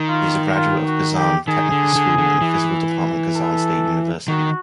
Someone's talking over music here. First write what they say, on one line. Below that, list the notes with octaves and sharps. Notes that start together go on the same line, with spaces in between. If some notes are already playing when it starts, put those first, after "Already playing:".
He is a graduate of Kazan Technical School and physical department Kazan State University.
Already playing: D#3
F4
F4
F#4
G4
D#3 G#4
D3
D3
D3
E3
A4
D#3 F#4